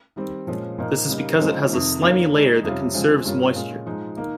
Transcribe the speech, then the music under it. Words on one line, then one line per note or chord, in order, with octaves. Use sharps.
This is because it has a slimy layer that conserves moisture.
D#3 G3 C4
A#2 F3 G#3 C#4
A#2 F3 A#3 D#4
C#3 G3 A#3 D#4
C#3 F3 G#3 C4 D#4
F2 C3 D#3
D#3 A#3 C#4 F4
D#3 G#3 D#4
F2 C3 G3 C#4 F4
C#3 F3 G#3 C4 F4
G2 G3 A#3 C#4 F4
A#2 G#3 C#4 F4
G#2 F3 G#3 D#4
D#3 A#3 D#4